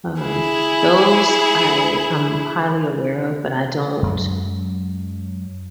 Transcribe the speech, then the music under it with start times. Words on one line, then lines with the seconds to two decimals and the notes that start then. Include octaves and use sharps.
Um, those I am highly aware of but I don't
0.21 E4 G#4
4.02 F#2 F#3 G#3